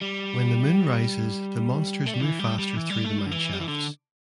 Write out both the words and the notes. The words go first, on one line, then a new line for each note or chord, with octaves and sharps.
When the moon rises the monsters move faster through the mine shafts.
G3
A3
G3
E3
G3
G3
E3
G3
A3
G3
D3
E3
G3
E3
D3